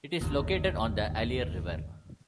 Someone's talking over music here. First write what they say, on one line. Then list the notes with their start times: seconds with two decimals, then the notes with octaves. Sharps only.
It is located on the Allier River.
0.21 G1 D#2